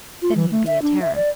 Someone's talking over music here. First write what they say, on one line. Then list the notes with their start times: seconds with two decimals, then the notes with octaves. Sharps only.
Then he'd be a terror.
0.22 F4
0.36 E3
0.51 A3
0.67 E5
0.82 D4
1.02 E5
1.15 D5